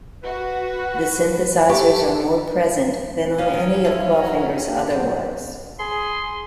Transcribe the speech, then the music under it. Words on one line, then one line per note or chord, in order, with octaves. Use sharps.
The synthesizers are more present than on any of Clawfinger's other works.
F#4 B4
G4 A4 E5 C#6
F3 C#4 F5
D#3
F3 E4 F4
F#4 A#5
A#3 D4 G4
F#3 B3 C4 G4
G#4 C6